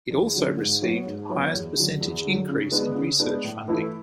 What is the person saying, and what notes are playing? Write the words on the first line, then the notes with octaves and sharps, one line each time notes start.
It also received highest percentage increase in research funding.
E2
D3 F#3 C#4
G#2
F#3 B3 F#4 C#5
G#2
F#3 B3 F#4 C#5
E2
D3 F#3
E2
D3 F#3
C#3
G#3 B3 D4
C#3
G#3 B3 D4
A2
E3 A3 E4